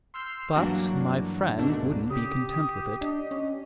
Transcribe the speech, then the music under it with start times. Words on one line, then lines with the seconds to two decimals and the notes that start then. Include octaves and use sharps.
But my friend wouldn't be content with it.
0.14 C6 E6 F6 G6 C7
0.56 G2 E3 F#3 A#3 D4 F#4
1.58 D2 G#2 B2 A3 A#3 D4
2.10 C#3 G4 D#6
3.01 D4 D#5
3.31 C#4